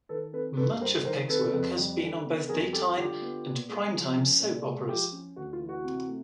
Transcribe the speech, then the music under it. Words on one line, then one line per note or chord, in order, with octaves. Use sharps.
Much of Peck's work has been on both daytime and prime time soap operas.
D#3 A4 B4
C4 A4 B4
G2 A4 B4
G3 A#4 C5
D#3 A#4 C5
C4 A4 B4
F2
G3
D3
B3
F2 G#4 A#4
G3 G4 A4
D3 F4 G4
B3
A#2
G#3
F3
C#4
A#2
G#3
F3 F4 G4
C#4
D2 F#4
F4
E3
F#4
C3
A3